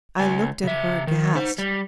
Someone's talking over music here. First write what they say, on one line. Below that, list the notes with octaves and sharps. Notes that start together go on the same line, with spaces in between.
I looked at her aghast.
C#2 G#5
C#3 E5
D#3
D#4 C5
G3